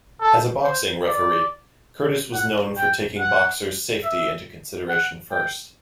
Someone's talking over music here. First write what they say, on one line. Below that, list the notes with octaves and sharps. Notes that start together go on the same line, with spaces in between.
As a boxing referee, Curtis was known for taking boxer's safety into consideration first.
A4
C5
D5
F#5
G5
F#5
E5
F#5
G5